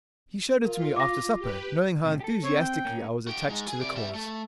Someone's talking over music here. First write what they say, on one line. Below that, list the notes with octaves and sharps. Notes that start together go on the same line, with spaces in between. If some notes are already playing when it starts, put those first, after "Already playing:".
He showed it to me after supper, knowing how enthusiastically I was attached to the Cause.
F4 A#4
D6 A#6
G4 B4
D2 A2 C3
G4 A4
C4 C#5
G5
A#3 C#4
F#4 G5
G#3 D#4
G#4 G#5
C3 D5
G3 E5
A3